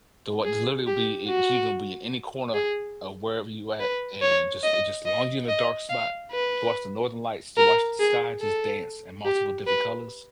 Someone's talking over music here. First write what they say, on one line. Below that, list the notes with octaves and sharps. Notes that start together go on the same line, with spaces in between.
to wa literally will be it you gonna be in any corner of wherever you're at, and just it just as long as you're in a dark spot to watch the Northern Lights, to watch the sky just dance in multiple different colors.
G#4
G4
F#4
G#4
B4
C#5
D#5
D#5
D#5
F5
B4
A#4
G#4
A4
G4
B4